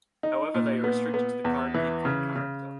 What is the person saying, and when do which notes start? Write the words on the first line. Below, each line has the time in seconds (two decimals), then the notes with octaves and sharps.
However, they are restricted to the current viewpoint character.
0.23 D#4
0.54 A#2
0.84 B3
1.14 B3
1.44 E2
1.74 E3
2.05 C#3
2.35 C#3